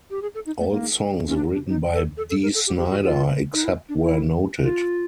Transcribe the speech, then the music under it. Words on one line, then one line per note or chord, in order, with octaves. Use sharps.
All songs written by Dee Snider, except where noted.
G4
G#4
A4
D#4
A3
A#3
C#4
D4
D4
D#4
A4
A4
A4
A#4
A4
G4
G4
F#4
F4
D#4
E4
D4
E4
F4